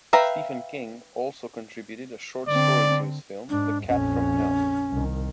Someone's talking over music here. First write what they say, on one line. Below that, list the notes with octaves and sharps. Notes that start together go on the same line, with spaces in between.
Stephen King also contributed a short story to this film, "The Cat From Hell".
B4 E5 F5 G5 A#5
D3 C4 D5
G#2 D4
A#1 F2 C#4
C2 D#3